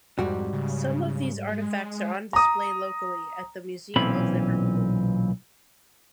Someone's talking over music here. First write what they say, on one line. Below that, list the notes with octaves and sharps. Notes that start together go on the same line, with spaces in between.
Some of these artefacts are on display locally, at the Museum of Liverpool.
F2 G#2 G3 F#4
C#3
G#3
A#5 D#6
B1 A#2 E3 C4 C#4 B5